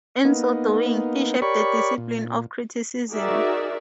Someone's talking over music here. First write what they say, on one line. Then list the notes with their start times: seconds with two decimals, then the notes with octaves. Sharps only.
In so doing, he shaped the discipline of criticism.
0.25 A#3 B3 D#4
1.42 G4 A#4 C#5 D5 B5 C#6
1.98 A#2
3.11 D#4 F#4 G#4 A#4 D5 E5